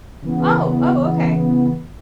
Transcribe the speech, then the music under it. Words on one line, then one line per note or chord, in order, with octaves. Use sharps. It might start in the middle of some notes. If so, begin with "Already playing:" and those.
Oh! Oh, okay.
C#3 E3 B3